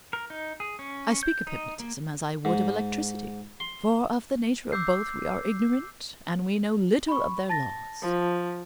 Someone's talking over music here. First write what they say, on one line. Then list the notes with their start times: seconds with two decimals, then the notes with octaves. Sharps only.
I speak of hypnotism as I would of electricity, for of the nature of both we are ignorant and we know little of their laws.
0.13 A#4
0.30 D#4
0.60 G#4
0.79 C#4
1.23 G6
1.47 D#4
1.80 A#3
2.45 G#2
3.60 C6
4.72 D6 E6 G6 C7
7.08 B5 C#6
7.49 A5 A6 A#6
8.02 F3